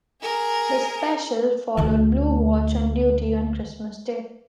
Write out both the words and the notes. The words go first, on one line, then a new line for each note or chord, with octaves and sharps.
The special followed Blue Watch on duty on Christmas Day.
G#4 A#4
D2 A3